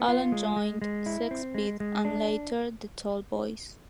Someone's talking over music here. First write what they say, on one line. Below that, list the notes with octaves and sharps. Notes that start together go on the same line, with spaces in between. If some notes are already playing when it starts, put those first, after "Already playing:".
Alan joined Sexbeat and later the Tall Boys.
Already playing: B3
F4
G#3
G#3
G#3
E4
C4
G#3
G#3
D4